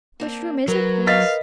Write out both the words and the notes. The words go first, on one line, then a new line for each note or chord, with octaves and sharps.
"Which room is it, please?"
A#3 C4 D4
F#3 A#4 B4
D#5 F5 A6 B6